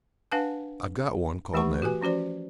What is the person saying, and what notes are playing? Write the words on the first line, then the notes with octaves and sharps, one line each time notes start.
"I've got one," called Ned.
D4 B4 F5 F#5 G#5 A5
E3 A3 G4 F#5 C#6
F#4 G4 B4 G#5
F3 C#4 F#4 C5 D5